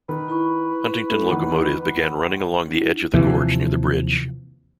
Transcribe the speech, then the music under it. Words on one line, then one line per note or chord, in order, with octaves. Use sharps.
Huntington locomotive began running along the edge of the gorge near the bridge.
D#3 B4
E4 B5 C#6
A3
E2 D#3
D4 E4
D#2 C3 E3 F3